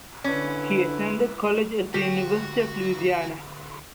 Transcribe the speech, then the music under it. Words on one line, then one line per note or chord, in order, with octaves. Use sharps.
He attended college at the University of Louisiana.
D3 C#4 E4 B4
D3 F#4 G4